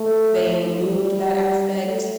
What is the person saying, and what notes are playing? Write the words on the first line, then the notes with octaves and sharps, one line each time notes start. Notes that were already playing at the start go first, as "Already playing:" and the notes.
they removed that aspect
Already playing: A3
G3
A3